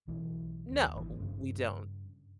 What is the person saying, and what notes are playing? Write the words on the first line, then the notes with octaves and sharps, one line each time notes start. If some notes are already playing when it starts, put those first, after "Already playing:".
No. W we don't.
B1 E3
D#2
G#1 C3 E3
G2 C#3